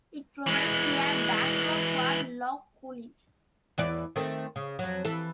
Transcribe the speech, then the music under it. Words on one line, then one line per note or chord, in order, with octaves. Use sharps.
It provides a backdrop for Lough Coolin.
E3 G#3
E2 E3 D5
D#3 A3 C4
C#3
F2 F#3
E3 A4